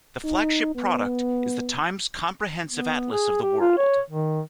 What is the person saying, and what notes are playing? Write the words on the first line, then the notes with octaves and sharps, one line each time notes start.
The flagship product is The Times Comprehensive Atlas of the World.
D#4
B3
B3
G#4
G4
F4
C#5
D#3